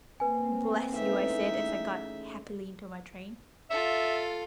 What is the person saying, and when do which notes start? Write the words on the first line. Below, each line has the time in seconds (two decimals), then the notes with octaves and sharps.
"Bless you," I said, as I got happily into my train.
0.20 A#3 C4 B4 G#5
0.92 A2 C#3 E3 D#4 E5
3.70 F4 A4 E5